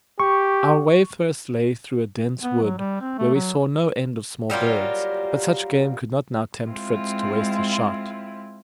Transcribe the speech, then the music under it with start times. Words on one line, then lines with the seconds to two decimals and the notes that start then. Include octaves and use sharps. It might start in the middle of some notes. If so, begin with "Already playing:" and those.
Our way first lay through a dense wood, where we saw no end of small birds, but such game could not now tempt Fritz to waste his shot.
0.20 G4 C#6
2.43 B3
2.62 F#3
2.78 G3
3.01 C4
3.18 A3
3.35 F#3
4.50 F#3 G3 A#3 F4
6.71 G#3 C4 E4 F4